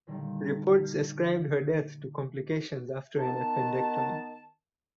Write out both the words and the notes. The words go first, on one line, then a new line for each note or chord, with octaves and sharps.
Reports ascribed her death to complications after an appendectomy.
A#2 D3 D#3 G3
D#3 B3 A5